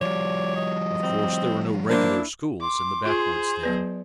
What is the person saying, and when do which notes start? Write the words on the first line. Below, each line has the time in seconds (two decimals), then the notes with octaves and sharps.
Of course, there were no regular schools in the backwoods then.
0.01 F3 G3 C#5 D5
0.56 D#5
1.03 C4
1.89 A#3 D4 E4 C5
2.61 C6 D6
3.06 F4 G#4 C5
3.63 F#3 B3 B4 D5